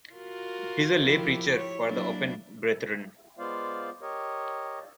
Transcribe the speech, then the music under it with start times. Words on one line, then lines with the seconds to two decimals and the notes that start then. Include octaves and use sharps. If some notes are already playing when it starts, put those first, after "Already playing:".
He is a lay preacher for the Open Brethren.
0.14 F4 F#4 A#4
1.03 F3 E4 G4
1.54 C#5
1.87 F#3 A#3 D4 E4
3.39 G#3 B3 F4 C5 D5 F5
4.01 G4 A#4 C#5 D#5